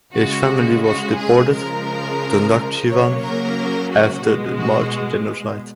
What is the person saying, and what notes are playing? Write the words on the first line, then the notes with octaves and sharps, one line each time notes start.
His family was deported to Nakhchivan after the March genocide.
C#3 G#3 F#4
F#4
G#4
C#3 F3 G#3 A#4
C#3 F#3 A#3 C#5
A#4
F#4
B2 G#3
F#4